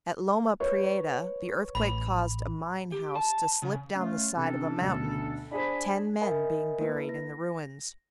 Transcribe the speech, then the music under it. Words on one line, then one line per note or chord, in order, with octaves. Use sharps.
At Loma Prieta the earthquake caused a mine house to slip down the side of a mountain, ten men being buried in the ruins.
B4 C#5
A1 B5
G4
A5
C#3
A3 C#4 F4
C3 C#4 D4 A4
D2 B2
D4 G#4 C5 G#5 B5
A#4 D#5 E5 G#5 B5
A#3 E4 B4
A#6